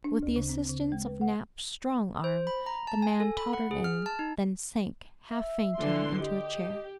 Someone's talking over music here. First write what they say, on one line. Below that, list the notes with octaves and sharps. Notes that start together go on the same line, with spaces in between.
With the assistance of Nap's strong arm, the man tottered in, then sank, half fainting, into a chair.
D4
D2
C#3
C4
C#3
G#3
B4
F#5
C5
B5
A#5
A5
G#5
A4
B5
F#5
G#4
F6
A5
D#4
E5
D3 E3 C6
G4 D#5